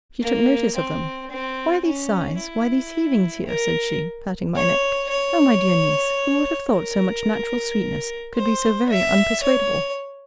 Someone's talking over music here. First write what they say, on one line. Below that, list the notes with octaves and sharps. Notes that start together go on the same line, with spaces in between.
She took notice of them--Why these sighs, why these heavings here? said she, patting my neck--O my dear Niece, who would have thought so much natural sweetness could be so very unpersuadable?
A#3
C4
C4
C#4
E4
A#4
C#5
C#5
A#4
C5
E5
C#5